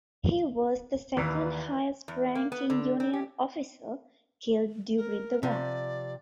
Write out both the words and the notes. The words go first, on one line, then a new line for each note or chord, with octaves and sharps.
He was the second highest ranking Union officer killed during the war.
D#2 E3 B4 D5 A#5
E2
A#3
B3
D3
C4
G4
A#4
C3 F3 D5